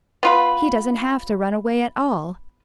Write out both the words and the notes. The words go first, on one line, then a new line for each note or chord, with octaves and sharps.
He doesn't have to run away at all!
B3 F4 B4